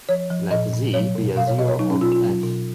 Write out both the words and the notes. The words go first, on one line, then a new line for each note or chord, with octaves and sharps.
Let "z" be a zero of "f".
F3 C#5
F3
A#2 D#5
A#2
F#3 C#5
B2
B2 F5
C#5
B2 D#5
C#5
F#3 D#4
C#4
B2 F4
F4
F#3
B2